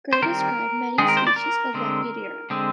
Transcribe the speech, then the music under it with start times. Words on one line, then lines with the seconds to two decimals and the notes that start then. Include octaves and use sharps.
Gray described many species of Lepidoptera.
0.13 C5
0.22 D#3 G3 C4 A#4
0.98 D#3 G#3 C4 G#4
1.08 A#4
1.17 C5
1.27 D5
1.36 A#4
1.74 D3 G#3 C4
2.50 D3 G#3 C4